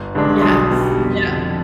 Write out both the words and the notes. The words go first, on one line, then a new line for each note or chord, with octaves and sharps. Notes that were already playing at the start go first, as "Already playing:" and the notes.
Yes, yeah.
Already playing: G1
G2 D3 G#3 D4
B1 C6 D#6
B2 G3
F1
F2 D3